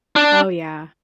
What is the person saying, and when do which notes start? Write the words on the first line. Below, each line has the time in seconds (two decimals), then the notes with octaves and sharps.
Oh, yeah.
0.16 D4